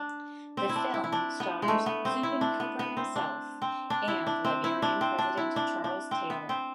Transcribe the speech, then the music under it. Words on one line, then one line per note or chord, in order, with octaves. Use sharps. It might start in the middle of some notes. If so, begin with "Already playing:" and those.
The film stars Zubin Cooper himself and Liberian president Charles Taylor.
Already playing: D4
C4
E4
D4
E4
E4
D4
B3
G#3
A3
B3
C4
E4
D4
B3
B3
C4
D4
C4
D4
E4
D4
C4
E4
D4
C4
D4
E4
D4
D4
C4
B3
C4